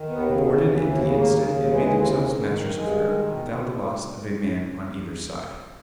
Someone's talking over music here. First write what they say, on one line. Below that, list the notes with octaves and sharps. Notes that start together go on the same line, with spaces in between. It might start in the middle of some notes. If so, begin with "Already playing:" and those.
They boarded in the instant, and made themselves masters of her, without the loss of a man on either side.
Already playing: D#3
D#2 B3
C#3
D#2
E3 B3
D#2 A#3
C#3 B3
D#2 A#3
C#3
D#2
E3 G#3
D#2
C#3
D#3
D#3
G2
G2 G#3
D#3
D#3
B2
B2